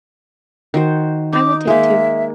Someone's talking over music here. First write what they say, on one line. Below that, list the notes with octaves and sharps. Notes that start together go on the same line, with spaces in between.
I will take two.
D#3 F#4 C5
D#4 D6
G#3 A#3 E5